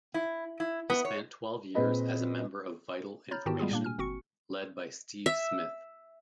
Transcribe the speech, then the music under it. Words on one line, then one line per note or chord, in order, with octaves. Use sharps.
He spent twelve years as a member of Vital Information, led by Steve Smith.
E4
E4
B3
C#5
A#2 C4 G#4 B4 D#5 B5
C#5 A#5 B5 F6 G6 A6
G#2 D#3 F#4 G4 G5 A5
G3 G#3 B3 F4 G#4
A#2 A#3 D4
G#5 F6
G1 C4 F#4 C#6 C#7
E5